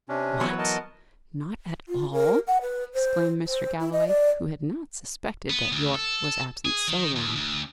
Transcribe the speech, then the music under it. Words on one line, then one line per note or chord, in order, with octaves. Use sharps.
"What! not at all?" exclaimed Mr. Galloway, who had not suspected that Yorke was absent so long.
C3 C#4 D4
E3 F#3 B3
A#4 D#5 A5
F4
A#4
F#5
B4
C5
C5
E4
D#5
D5
B3
D2
A4
G#4
D#3
D#2
D2